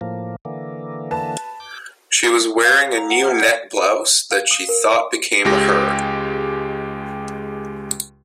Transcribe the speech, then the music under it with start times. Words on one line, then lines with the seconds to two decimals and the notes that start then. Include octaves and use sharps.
She was wearing a new net blouse that she thought became her.
0.01 A2 F3 A#3
0.45 D3 E3 A#3
1.11 B4 A5
1.60 D6 G6
2.64 F5
2.97 A#5
3.10 F#5
3.24 F6
3.42 D5
4.31 F5
4.51 D#6
4.69 A#4
5.45 C#2 G#3 G4 A#6